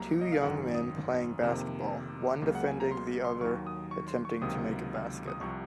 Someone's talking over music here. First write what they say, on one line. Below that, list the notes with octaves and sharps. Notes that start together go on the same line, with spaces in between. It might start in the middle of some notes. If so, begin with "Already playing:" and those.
Two young men playing basketball, one defending the other attempting to make a basket.
Already playing: C2 C3 F#3 A#3 A#5
D#5
F5
G#1 F#2 D#3 F#5
D#6
F2 C3 D#3 A#3
C#2 C#3 F#3 A#3
F#5
G#5
A#5
C6
C6
D#2 D#3 F#3 C#6
D#6
C#6
C6
C#6
C#2 C3 D#3 F#3 A#3 D#6
D#6
C2 C3 F3 C#6